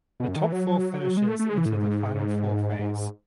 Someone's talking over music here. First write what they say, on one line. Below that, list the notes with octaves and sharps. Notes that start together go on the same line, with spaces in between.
The top four finishers enter the Final Four phase.
B2
F#2
D#3
E3
F#3
G#3
A3
A3
G#3
E3
A2
G#2
G#2
G#2